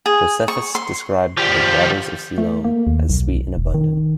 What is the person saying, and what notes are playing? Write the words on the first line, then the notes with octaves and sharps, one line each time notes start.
Josephus described the waters of Siloam as sweet and abundant.
G#4
C#6
C6
F3 G3
A3
A#3
D#2
B1
E1
D#3